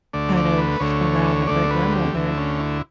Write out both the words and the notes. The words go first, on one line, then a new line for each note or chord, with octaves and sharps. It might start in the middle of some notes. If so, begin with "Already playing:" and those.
kind of around my great-grandmother,
D2 D3 A3 D5
D5
B4
D2 D3 A3 C#5
D2 D3 A3 D5
B4
G4
D2 D3 A3 E4
C#4
E4